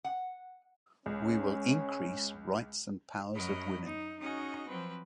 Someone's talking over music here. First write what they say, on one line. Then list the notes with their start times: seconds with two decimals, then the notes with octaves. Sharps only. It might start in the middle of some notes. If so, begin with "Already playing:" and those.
We will increase rights and powers of women.
0.04 F#5
1.06 C#2 C#4
3.35 F#2 F#3 A#4 D#5 B5
3.84 D#4
4.21 C#4 D#4 F#4 G#4 D#5
4.66 F3 F#3 C4 B4